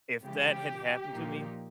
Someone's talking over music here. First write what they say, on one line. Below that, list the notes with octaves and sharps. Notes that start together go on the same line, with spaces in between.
if that had happened to me
C#3 E3 G#3 G4
A#2 F3 A#3 D#4